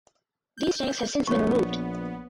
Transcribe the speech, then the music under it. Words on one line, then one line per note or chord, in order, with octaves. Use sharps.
These tanks have since been removed.
G6
A#1 B3 C#5 C#6